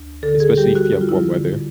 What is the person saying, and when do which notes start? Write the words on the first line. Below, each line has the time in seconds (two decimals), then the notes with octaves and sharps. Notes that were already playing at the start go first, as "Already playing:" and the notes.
especially if you have warm weather,
Already playing: D2
0.23 D3 A4
0.40 G#4
0.57 G3 G4
0.75 F#4
0.93 G3 F#4
1.01 F4
1.09 E4
1.16 F4
1.28 D3